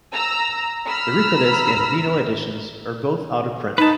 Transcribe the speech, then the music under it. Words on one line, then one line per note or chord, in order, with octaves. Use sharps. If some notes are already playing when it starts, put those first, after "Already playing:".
The Rykodisc and Rhino editions are both out of print.
A#5 E6
A#5 B5 E6 F6
D#4 B4 A5